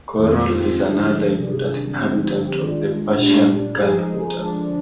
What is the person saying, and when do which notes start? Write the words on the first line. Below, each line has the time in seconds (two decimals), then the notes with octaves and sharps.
Coral is another important inhabitant of the Persian Gulf waters.
0.18 F2 D#3 G#3 C4 F4
0.78 D3 F3 G#3 D4 G#4
1.37 C3 D#3 G3 D4 G#4
1.97 D3 F3 C4 G4
2.57 D#3 G#3 D4 F4
3.17 A#2 G3 D4
3.77 F3 G#3 D#4 G#4
4.37 D3 F3 G#3 D4